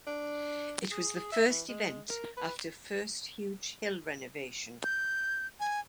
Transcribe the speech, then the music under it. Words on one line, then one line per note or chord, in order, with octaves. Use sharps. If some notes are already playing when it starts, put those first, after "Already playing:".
It was the first event after first huge hill renovation.
D4
G#4
G#4
E5
E3
G#3
A#4
B4
G6
G#5